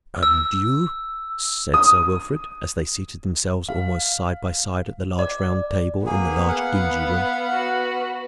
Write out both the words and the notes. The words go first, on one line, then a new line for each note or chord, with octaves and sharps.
"And you?" said Sir Wilfrid, as they seated themselves almost side by side at the large, round table in the large, dingy room.
E6
D#6
F5
D5
A#3 B3 G#4
F5 F#5
F#4 B4